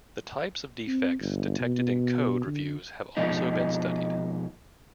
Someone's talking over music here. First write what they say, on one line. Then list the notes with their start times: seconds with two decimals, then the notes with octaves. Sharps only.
The types of defects detected in code reviews have also been studied.
0.88 C4
1.20 G1
1.59 B2
2.46 D3
3.17 B2 F3 G#3 D#4